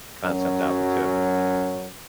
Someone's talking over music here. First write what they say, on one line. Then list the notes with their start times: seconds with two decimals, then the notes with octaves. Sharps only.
concept album too.
0.25 F#2 F#3 C#4